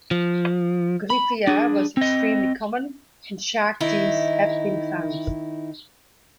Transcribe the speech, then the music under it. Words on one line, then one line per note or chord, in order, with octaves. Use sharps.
"Gryphaea" was extremely common, and shark teeth have been found.
F3
B5
D4 G#4
C4 D#5
D#3 D#4 E4